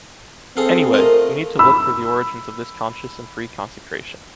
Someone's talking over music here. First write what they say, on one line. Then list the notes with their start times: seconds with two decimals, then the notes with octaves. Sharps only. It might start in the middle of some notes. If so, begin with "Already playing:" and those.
Anyway, you need to look for the origins of this conscious and free consecration.
0.57 C4 G#4 A4 F5
0.93 A3 F4 A#4 D#5
1.59 B5 E6